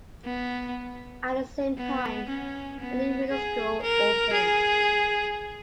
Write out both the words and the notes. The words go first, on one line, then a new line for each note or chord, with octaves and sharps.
At the same time, a new middle school opened.
B3
B3
C#4
B3
G#4
A#4
G#4